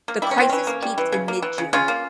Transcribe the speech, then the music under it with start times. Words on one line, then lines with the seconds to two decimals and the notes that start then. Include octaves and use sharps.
The crisis peaked in mid-June.
0.08 A#3
0.22 G3 E4
0.31 C#4
0.38 E3 C4
0.49 E3 C#4
0.67 A#3
0.82 G3
0.98 E3
1.12 C#3
1.28 A#3
1.42 E3
1.58 C#3
1.73 C#3 C#4 F4
1.88 A#3